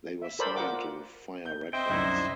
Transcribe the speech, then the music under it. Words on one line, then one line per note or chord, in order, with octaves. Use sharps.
They were signed to Fire Records.
E5
A4 A#4 C5 D5 B5 D6
F4 A#4 F#5 D6
G6
C4 C5 D#5 E5 G5
C2 F#2 D3 D#4 E4